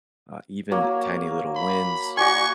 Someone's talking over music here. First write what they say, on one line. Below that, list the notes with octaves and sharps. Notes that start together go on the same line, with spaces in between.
Uh, even tiny little wins
F#3 A#3
B5
F#4 D5 G#5 C#6